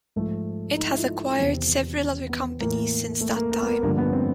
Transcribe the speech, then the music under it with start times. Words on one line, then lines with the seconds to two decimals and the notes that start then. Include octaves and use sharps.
It has acquired several other companies since that time.
0.16 G#2 F3 A3
0.77 D#4
0.87 E4
0.97 F4
1.38 E2 C3 D#3 C4
2.29 B3
2.60 A2 E3 A#3
3.21 A3
3.36 A#3
3.52 A#3
3.62 B3
3.67 A#3
3.83 G2 D3 F3 A#3
3.98 B3
4.13 C4